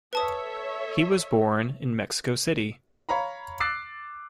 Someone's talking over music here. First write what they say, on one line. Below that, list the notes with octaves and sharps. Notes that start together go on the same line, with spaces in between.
He was born in Mexico City.
A4 B4 C#5 E5 A5 D#6
C#5 F5 A#5 B5
D6 E6 F#6 A6 C7